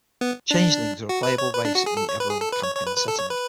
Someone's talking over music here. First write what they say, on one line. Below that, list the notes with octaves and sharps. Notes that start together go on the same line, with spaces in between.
Changelings are a playable race in the Eberron campaign setting.
B3
D4
F#4
B4
C#5
B4
D4
F#4
G#4
A4
C#5
B4
G#4
A4
B4
C#5
C#5
B4
B4
A4
C#5
B4